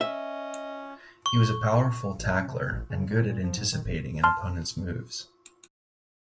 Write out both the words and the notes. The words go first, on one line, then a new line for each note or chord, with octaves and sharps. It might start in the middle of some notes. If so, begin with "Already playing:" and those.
He was a powerful tackler and good at anticipating an opponent's moves.
C#4 D#5 E5
C#6
A1
C#4
C3
A1
C#3
A#2
A#2
F3
G#2
D#3
F1
A5 C6 F6